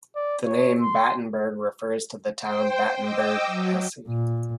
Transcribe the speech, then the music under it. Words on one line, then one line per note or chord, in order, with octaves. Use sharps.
The name Battenberg refers to the town Battenberg, Hesse.
D5
C#5
C6
C5 G5
D#5 G5 D6 E6
F#3
A#2